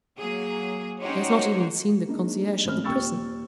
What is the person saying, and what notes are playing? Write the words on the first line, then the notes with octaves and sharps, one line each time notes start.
"He has not even seen the concierge of the prison."
F#3 A#3 G#4
C#4 D#4 F#4 G4 C5 C#5
G#3 A#3 D4 D#4
G#1 A3 C4 C#4 A4 F6
D#2 A#2 G5 C#6 E6 A6